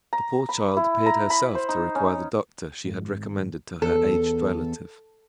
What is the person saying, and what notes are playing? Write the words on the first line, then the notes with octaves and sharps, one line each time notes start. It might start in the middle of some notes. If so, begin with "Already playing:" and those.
The poor child appeared herself to require the doctor she had recommended to her aged relative.
A#5
B5
E4
A#5
B5
C5
D#4
C#4
G#1
E2 A4